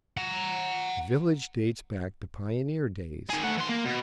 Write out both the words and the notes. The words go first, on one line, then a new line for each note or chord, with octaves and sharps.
The village dates back to pioneer days.
F#5 A#5
D#3 G#4
A3 F#5
E3 C6
A#3
B2